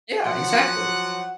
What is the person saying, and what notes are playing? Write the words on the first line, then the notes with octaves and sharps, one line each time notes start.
Yeah, exactly.
F3 F#3 F#5